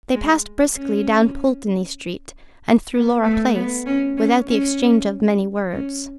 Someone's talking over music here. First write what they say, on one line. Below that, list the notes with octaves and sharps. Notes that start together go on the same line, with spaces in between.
They passed briskly down Pulteney Street, and through Laura Place, without the exchange of many words.
G#3
C#4
B3
A3
B3
C#4
C#4
C#4
C#4